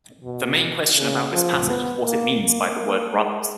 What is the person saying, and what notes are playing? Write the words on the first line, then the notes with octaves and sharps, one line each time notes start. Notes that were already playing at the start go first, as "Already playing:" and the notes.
The main question about this passage is what it means by the word "brothers".
B2
C#3
F3
B3
A#3
A#3
A#3
G#3